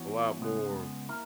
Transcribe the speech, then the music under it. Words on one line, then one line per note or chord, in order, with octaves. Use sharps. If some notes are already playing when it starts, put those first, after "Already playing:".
a lot more
Already playing: E3 B3 F#4 C#5
C#3 G#3 B3
A#3 E4 A#4